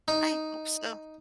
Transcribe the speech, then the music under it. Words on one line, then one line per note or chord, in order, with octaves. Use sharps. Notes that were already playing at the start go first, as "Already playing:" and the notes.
I hope so.
D#4